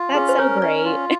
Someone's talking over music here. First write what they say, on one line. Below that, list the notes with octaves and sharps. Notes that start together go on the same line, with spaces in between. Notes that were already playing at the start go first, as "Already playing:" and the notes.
that's so great.
Already playing: F4
C#4 G#4
C5
A#4 C#5
C#4 D5
F4